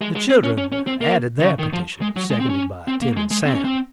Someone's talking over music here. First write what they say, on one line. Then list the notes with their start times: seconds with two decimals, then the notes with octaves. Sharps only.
The children added their petitions, seconded by Tim and Sam.
0.01 G#3
0.16 G#3
0.30 C4
0.44 C#4
0.58 C#4
0.72 C#4
0.87 C4
1.01 A#3
1.40 D#3
1.44 C#3
1.59 D#3
1.73 F3
2.01 G#3
2.17 F#3
2.31 G#3
2.40 C4
2.49 C#4
2.88 C4
3.02 A#3
3.17 G#3
3.31 G#3
3.46 C4
3.55 C#4
3.65 C4